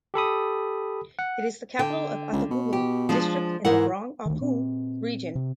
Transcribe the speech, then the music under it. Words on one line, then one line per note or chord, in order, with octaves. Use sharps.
It is the capital of Atebubu district in the Brong Ahafo Region.
G4 A4 B5 D#6
F#5
D3 G5
C#2
B2
G4
F3 G#3 D4
G#2 E3 A#4 F#5
D2 D#3
A#2 C4
C3